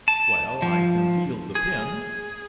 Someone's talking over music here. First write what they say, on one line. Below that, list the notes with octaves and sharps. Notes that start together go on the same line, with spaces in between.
"Well, I can feel the pin."
A5
F3
G#4